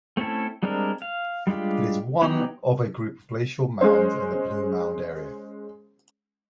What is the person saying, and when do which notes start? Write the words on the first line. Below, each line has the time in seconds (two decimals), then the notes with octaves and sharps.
It is one of a group of glacial mounds in the Blue Mound area.
0.17 A3 C4 C#4 E4 A4
0.63 G3 G#3 C4 D4 A#4
1.02 F5
1.47 G3 G#3 D4 F4 G4
2.22 E3 F#3 B3 D#4 G4
3.81 G#3 C#4 C5